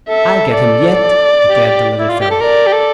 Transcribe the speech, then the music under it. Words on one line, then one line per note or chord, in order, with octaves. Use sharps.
"I'll get him yet," declared the little fellow.
A4 E5
D5
G4
E4
F4
G4
A4
A#4 D5
G4
A4